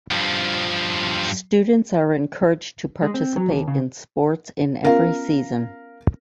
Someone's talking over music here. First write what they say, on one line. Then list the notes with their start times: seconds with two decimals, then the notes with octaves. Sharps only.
Students are encouraged to participate in sports in every season.
0.11 G2 F3
3.02 G#3
3.14 C4
3.36 F#3
3.49 D#2
3.68 C#3
4.84 B3 C#4 F4 A#4 F5